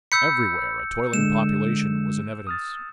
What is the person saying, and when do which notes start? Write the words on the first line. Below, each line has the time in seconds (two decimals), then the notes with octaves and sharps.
Everywhere a toiling population was in evidence.
0.12 B5 E6 G6 B6 C#7
1.14 D3 G#3 E7
2.47 D#6 F6 A6